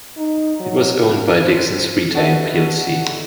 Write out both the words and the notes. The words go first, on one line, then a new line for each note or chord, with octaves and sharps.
It was owned by Dixons Retail plc.
D#4
F#3
C#3
C5
D4 F#4 A4 B4 D#5 E5